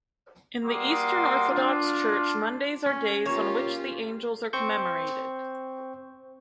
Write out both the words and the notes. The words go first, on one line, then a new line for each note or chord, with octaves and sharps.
In the Eastern Orthodox Church Mondays are days on which the Angels are commemorated.
G3 A#3 F#4 C6 D6 D#6
D4 F4
C#4
A#3 F4 G4 C#5
C4 C5 C#6 G6